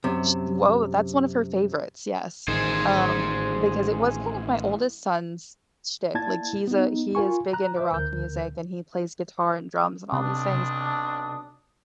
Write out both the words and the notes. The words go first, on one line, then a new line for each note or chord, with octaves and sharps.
She Whoa, that's one of her favorites, yes. Um, because it was kind of my oldest son's shtick. Like, he's a he is big into rock music, and he plays guitar and drums and all these things,
F#2 C3
A1 D#3 G#4 C5
A#3 E4 D5 A5 G#6 A6
B3 D#4
F4 A#4 G#5 C#6
A#5 F#6
C5 E5 D6
D2 D3 A#4 G6
B1 C3 D4 D#6